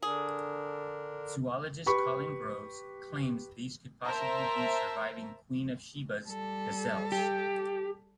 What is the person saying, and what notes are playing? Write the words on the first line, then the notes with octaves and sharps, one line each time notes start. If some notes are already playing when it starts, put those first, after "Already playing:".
Zoologist Colin Groves claims these could possibly be surviving Queen of Sheba's gazelles.
D3 D4 G#4 A#4
G4 B4 B5 C#6
A#4 C5 E5 A5 A#5
G3 A4
G4